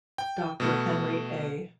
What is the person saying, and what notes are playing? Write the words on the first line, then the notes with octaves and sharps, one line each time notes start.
Doctor Henry A.
G5
B2 A3